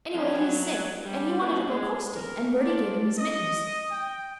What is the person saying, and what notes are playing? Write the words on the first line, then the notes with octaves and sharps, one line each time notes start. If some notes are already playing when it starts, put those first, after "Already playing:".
Anyway, he is sick, and he wanted to go coasting, and Bertie gave him his mittens.
F2 C#4
F#3
G3
A#2 B4
G#3
A#4
D4 F4 D5
D#5
G5